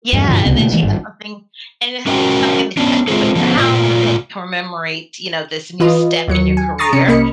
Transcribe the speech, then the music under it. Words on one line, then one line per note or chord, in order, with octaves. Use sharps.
Yeah, and then she has something and it's something that you guys can put in your house and that commemorates, you know, this new step in your career.
E2 G2
G2 B2 D3 F3
C#2 C3 B3 C4
B2 D3 A3 A#3
E3 G#3 A#3
G#1 G2
C#4 F#4 A#4 D#5 G5
B3 C#4 D4
G#3 C4 F4 G#4 A4
D3 F3 B3
A#2 A3 F4 D5
E3 F4 B4 D#5
D#2 F#3 C#7
G#5
A#5 C#6 D#6 A6 C7
C3 C#4 C#7
C2 A#3 D#5 B5 C#7